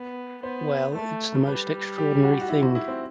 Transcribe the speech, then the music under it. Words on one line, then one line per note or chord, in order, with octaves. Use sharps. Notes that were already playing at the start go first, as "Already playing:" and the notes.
Well, it's the most extraordinary thing.
Already playing: B3
B3 C5
A3 A4
G3 B4
G4
F#4
F#4
E4
F#4
E4
C4